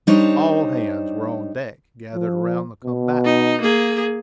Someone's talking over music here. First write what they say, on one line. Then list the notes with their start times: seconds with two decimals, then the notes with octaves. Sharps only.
All hands were on deck, gathered around the combatants.
0.07 G3 D4 D#4 C5 C#5
2.15 F3
2.84 B2
3.24 D#4
3.61 A#3 G#4